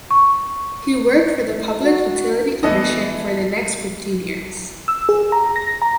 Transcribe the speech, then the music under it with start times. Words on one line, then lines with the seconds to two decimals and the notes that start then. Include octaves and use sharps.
He worked for the Public Utility Commission for the next fifteen years.
0.11 C#6
1.82 F#4
2.63 E3 B3 E4 A4 D5 D#5
4.88 E6
5.09 G#4
5.32 A#5
5.56 A#6
5.82 A#5